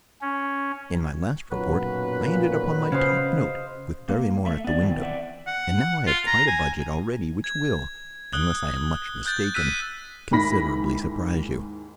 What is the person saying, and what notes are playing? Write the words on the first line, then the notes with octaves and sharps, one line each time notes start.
In my last report I ended upon my top note with Barrymore at the window, and now I have quite a budget already which will, unless I am much mistaken, considerably surprise you.
C#4
B1 F#2 A#2 F#3 B4
C#3 C5 D#5 F5
A#3
A3 E5
B3 D5
D#3 E3 B3 C4 E4
C4 D5 E5 F#5
F#5
F4
A#5
G#5
G#6
D#6 F#6 G7
F#6 G6 A6
E6 F#6 B6 D#7
D#2 G#2 E4 B5 A#6 B6